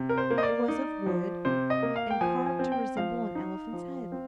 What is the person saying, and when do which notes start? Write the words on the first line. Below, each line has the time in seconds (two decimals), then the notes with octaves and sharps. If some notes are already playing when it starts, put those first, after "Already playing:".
It was of wood and carved to resemble an elephant's head.
Already playing: C3
0.09 A#4
0.18 C5
0.30 A#3
0.38 D#5
0.43 D5
0.68 D#4
1.06 F3
1.45 C3 C5
1.70 D#5
1.83 A#3
1.96 F5
2.10 G5
2.21 F3 G#5
2.46 G#5
2.59 C4
2.72 G5
2.97 F3 F5
3.35 D#4
3.73 F3
4.12 C4